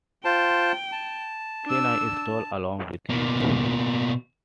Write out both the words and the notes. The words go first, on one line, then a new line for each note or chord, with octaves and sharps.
Can I stroll along with you?
F4 C5 G5 A5
A5
D4 E6
B2 A#3